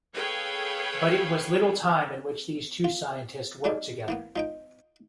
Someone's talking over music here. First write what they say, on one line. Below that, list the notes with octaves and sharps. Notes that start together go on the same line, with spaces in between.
But it was little time in which these two scientists worked together.
G#4 A4 B4 C#5 F5 G5
F4
C#3 F#3 G3 D4 D#4
E3 A#3 B3
F3 D#4 G5